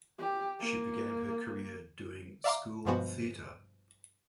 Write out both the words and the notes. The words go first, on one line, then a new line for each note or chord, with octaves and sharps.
She began her career doing school theater.
G4
A#3
D5 E5 F5 A#5 C6 D6
G2 B2 F3 G#3 B3 F#4